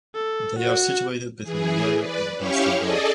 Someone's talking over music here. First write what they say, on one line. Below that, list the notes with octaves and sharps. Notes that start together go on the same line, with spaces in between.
They are situated between Yale and Boston Bar.
A4
F#4
E3 G#4
B4 D5
C#4 E4 G4 C#5 F5 C#6
G#4 A4 D5 D#5